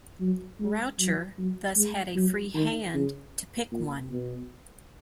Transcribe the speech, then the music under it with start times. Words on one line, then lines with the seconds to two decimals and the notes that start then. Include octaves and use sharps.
Raucher thus had a free hand to pick one.
0.20 F#3
0.60 G#3
1.00 F#3
1.38 F#3
1.77 G#3
2.16 F#3
2.55 D#3
2.94 C#3
3.72 A#2
4.11 B2